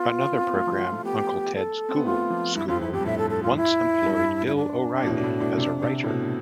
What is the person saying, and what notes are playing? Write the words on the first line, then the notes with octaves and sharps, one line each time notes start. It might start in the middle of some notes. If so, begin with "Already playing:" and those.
Another program, "Uncle Ted's Ghoul School", once employed Bill O'Reilly as a writer.
Already playing: B3 F4
C4
B3
A3
F3
F3
A3
B3 G4
A4
C4
B3
A3 F4
F3
G2 E4
F2 F4
F2 E4
F2 G4
G2
A2 E5
A4
A4
F4
E4
G2
E4
D4
B2
A2
B2
A2
A2
C3
C3
A2
B2